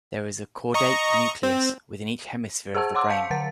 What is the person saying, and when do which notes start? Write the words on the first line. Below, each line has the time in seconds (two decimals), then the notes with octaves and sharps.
There is a caudate nucleus within each hemisphere of the brain.
0.74 D#5 A#5 C#6
1.43 C4
2.74 G#4 C5 F#5 A5 E6
2.95 C#5 F#5 C6 D6 E6
3.10 F5 A5 G6 B6 C#7
3.31 D3 F#5 A6